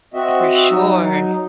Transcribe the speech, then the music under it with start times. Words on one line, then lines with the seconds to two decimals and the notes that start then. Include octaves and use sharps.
For sure.
0.14 C4 F#4 D#5 E5
0.70 F#3 D#4